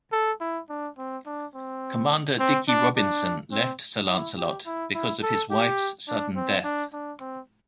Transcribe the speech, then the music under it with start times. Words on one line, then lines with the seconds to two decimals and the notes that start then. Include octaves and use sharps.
Commander Dickie Robinson left "Sir Lancelot" because of his wife's sudden death.
0.12 A4
0.41 E4
0.69 D4
0.98 C4
1.26 D4
1.55 C4
2.40 C4
2.68 D4
2.96 D4
3.52 C4
4.09 E4
4.37 G4
4.66 E4
4.94 E4
5.23 A4
5.51 G4
6.08 D4
6.36 C4
6.64 D4
6.93 D4
7.20 C4